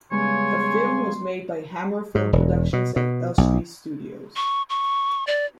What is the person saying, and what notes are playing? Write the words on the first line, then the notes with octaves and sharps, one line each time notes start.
The film was made by Hammer Film Productions at Elstree Studios.
C#3 G3 G#3 B3 C#5 G#5 C6
G#2
E1
B2
B2
B1
C#6
C#6
D5